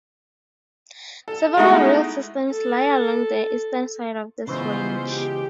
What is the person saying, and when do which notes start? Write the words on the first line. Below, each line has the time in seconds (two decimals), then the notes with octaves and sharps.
Several rille systems lie along the eastern side of this range.
1.28 A4
1.57 G#3 A3 B3 D#4 E4 F#4
2.51 A4
4.47 C#3 E3 G#3 B3 F4 C5
5.08 G4